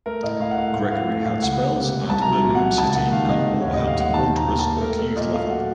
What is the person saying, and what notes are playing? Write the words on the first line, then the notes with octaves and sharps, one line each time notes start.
Gregory had spells at Birmingham City and Wolverhampton Wanderers at youth level.
A3 A#4
A2 D#5
A2 F5
F#5
A3 F5
A2 F#5
A2 F5
A3
A2 F5
C#2 F#5
A#3
C3
C3
C2 A5
A#5
F#3
A5
A#2
F#5
A#2
C#2 A5
A5
A#3 F#5
D#3 F5
C3 D#5
A3 F#5
D#2 C#5
D#5
D#2
F5
D#2 F#5
D#3 A5
D#2
A#5
D#2
A5
A#3
A4
A3 A#4
A3 A4
A#2 D#5
A3 F5
F#3 F#5